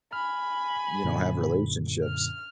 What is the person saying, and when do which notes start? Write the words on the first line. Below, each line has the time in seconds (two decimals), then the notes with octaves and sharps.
you know, have relationships.
0.13 G#5 B5 F6
1.04 F#2 A#2 D3
2.04 F6